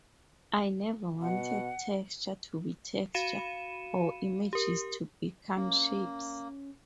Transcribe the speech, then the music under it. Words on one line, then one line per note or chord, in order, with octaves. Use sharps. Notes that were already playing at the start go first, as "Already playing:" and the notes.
I never wanted texture to be texture, or images to become shapes.
B2 F#5
F#4 F5 B5 C#7 D#7 E7
G4 A#4
A#3 C#4